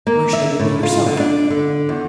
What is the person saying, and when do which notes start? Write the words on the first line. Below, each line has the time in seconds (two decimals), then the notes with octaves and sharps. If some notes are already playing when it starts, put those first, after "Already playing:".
"Where shall you be yourself?"
0.07 A#3
0.33 E5
0.60 A2
0.83 F4
1.06 D3
1.20 D4
1.50 D3
1.89 E2